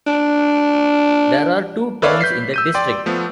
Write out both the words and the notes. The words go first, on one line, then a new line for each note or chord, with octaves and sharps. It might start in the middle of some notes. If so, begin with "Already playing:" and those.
There are two towns in the district.
D4
A4 B4 C#5 D5 E5 F5
G6 B6 C7
E6 G6 D#7
D5 G5 C6
F3 A3 B3